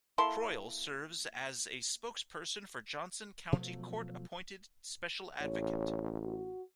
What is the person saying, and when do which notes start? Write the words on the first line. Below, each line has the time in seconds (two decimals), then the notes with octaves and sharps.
Croyle serves as a spokesperson for Johnson County Court Appointed Special Advocate.
0.18 A#3 E4 A4 C6
3.52 B2 F3 F#3 A3
5.41 A1 C#5
6.24 F#4